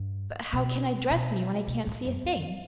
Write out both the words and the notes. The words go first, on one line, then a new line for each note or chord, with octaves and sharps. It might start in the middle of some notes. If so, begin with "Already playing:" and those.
"But how can I dress me when I can't see a thing?"
Already playing: G2
B2
B2
B2
A2
F#2
F#2